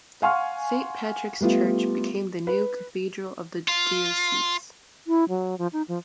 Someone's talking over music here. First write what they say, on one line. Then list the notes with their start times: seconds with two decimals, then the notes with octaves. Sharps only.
Saint Patrick’s Church became the new cathedral of the diocese.
0.22 F5 F#5 G#5 C6 C#6 F6
1.41 G3 A3 B3 F4
2.47 B4
3.68 F4
5.07 E4
5.29 F#3
5.58 F3
5.73 D#4
5.88 F3